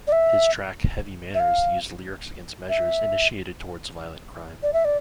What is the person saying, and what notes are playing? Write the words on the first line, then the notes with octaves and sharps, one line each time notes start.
His track "Heavy Manners" used lyrics against measures initiated towards violent crime.
D5
E5
E5
F5
E5
D5
E5
D5